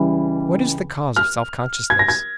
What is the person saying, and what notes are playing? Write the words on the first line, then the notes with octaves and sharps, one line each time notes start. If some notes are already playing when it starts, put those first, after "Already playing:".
What is the cause of self-consciousness?
Already playing: C#2 C#3 E3 G3
F6
G#6
A#6
G#6